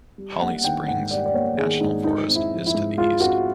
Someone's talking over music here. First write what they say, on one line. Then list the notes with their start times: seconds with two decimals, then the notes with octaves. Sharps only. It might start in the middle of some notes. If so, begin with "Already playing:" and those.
Holly Springs National Forest is to the east.
0.18 G3
0.41 A#3 F#5
0.64 D#3 G5
0.88 G#2 F#5
1.11 G3 D5
1.26 D5
1.34 A#3 C#5
1.58 D#3 G#4
1.80 G#2 D#4
2.04 G#3 D#4
2.28 C4
2.36 E4
2.51 F3
2.66 E4
2.74 G#2
2.97 G#3 F4
3.20 C4 F#4